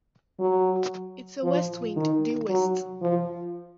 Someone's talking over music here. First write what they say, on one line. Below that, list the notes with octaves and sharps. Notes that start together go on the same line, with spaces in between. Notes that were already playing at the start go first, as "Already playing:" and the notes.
It's a west wind, due west!
F#3
F3
D#3
F#3
F3